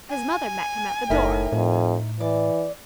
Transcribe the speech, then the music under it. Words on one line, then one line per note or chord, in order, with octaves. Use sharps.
His mother met him at the door.
G#5
F#1 A2 D#4 A#4 E5
F2 A2
E3 D5